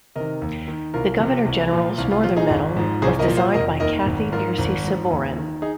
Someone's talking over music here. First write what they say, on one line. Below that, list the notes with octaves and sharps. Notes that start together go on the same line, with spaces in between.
The Governor General's Northern Medal was designed by Cathy Bursey-Sabourin.
C3 D#3 A#4 D#5
D#2
D#3
C2 F4 A#4
C3 F3
C2
A#2 F3
C2 F4
F4
A#2 F3 F4
D#4 G#4
G#1
G#2 F3
C2 G#4 C5
A#4 D#5
A#2 F3
C5 F5
F1 A#4 D#5
D#2 D#3 A#4 D#5
G#1
G#2 F3 F4 A#4
G#1
G#2 F3
D#2
D#3
D#4 G#4